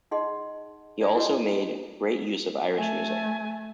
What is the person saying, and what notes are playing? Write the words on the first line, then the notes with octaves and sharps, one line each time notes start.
He also made great use of Irish music.
D#4 G#4 D#5 F#5 C6
D5 E5 G#5
E4 F#4 G#4 B4 C#5 D#5
A3 G#5